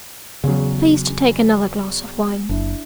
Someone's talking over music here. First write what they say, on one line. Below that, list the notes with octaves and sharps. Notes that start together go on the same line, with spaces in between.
"Please to take another glass of wine."
E2 C#3 F#3
F#1 D4 E4